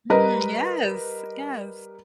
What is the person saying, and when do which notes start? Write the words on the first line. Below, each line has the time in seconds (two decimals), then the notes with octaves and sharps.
Mm, yes, yes.
0.10 G3 A#4 B4 D#5